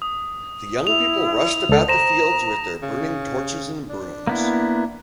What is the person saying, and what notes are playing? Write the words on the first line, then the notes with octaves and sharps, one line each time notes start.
The young people rushed about the fields with their burning torches and brooms.
D#6
E4 F7
C#2 A4
C5 A#5 A#6 E7
C#3
D4
A#3 B3 E4